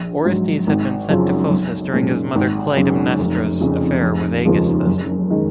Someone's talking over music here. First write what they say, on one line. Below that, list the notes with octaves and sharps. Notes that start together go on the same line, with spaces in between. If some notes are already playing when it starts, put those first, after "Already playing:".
Orestes had been sent to Phocis during his mother Clytemnestra's affair with Aegisthus.
Already playing: A#1
G#2 F#3
G#1
F#2 C#3 F3
B1
A#2 G#3 C#4
G#1
F#2 C#3
F1
F2 C#3
F1
D#2 C#3 F3 G#3
F#1
D#3 G#3